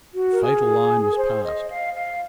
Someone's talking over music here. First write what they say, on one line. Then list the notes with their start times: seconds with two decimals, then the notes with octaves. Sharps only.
The fatal line was past.
0.15 F#4
0.31 A#4
0.41 G#4
1.11 A#4
1.17 C5
1.43 D#5
1.68 F5
1.94 F5